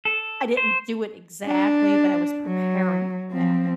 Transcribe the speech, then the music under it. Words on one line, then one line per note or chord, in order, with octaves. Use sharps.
I didn't do it exactly, but I was preparing for that.
A4
C5
D4
F#3
F3 C4